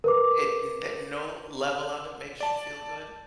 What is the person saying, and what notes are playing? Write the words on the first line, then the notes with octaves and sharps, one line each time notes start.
it that no level of it makes you feel good?
A#4 B4 D6
D5 A5